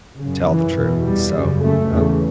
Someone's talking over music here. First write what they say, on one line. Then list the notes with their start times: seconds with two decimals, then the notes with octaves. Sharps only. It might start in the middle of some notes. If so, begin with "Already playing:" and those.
tell the truth? So, uh,
0.20 F#2 C#3
0.48 E3
0.76 E2 B2
1.04 G3
1.32 F#2 C#3
1.60 A3
1.89 E2 C#3